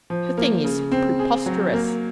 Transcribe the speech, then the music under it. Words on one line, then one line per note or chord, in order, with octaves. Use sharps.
The thing is preposterous!
F3
A#3
C#3
C4
G#4
F#3
A#3